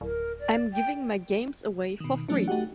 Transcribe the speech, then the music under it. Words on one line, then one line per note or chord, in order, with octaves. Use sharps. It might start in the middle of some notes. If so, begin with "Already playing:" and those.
I'm giving my games away for free.
D1 A#4
D5
G5
B2 D#3
E3 F#3 A3 C#4 D4
A3 D#4 F#4 G4 F#5